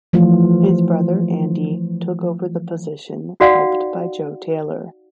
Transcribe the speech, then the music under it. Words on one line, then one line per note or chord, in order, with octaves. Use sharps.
His brother, Andy, took over the position, helped by Joe Taylor.
E3 F3 A3 F4
D#4 F#4 D5 F5 F#5